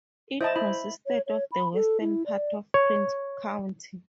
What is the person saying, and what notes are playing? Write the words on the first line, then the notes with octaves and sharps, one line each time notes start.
It consisted of the western part of Prince County.
E4 C5 D#5 A5
E4 B5
C#5
C#5
B5
A4
E4
D5
C#5